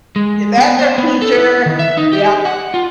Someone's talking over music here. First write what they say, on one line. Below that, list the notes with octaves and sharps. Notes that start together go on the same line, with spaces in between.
Yeah, that's a teacher. Yep.
G#3
B3
C5
B3
A4
E4
D#3
E5
D#4
G4
F#5
F4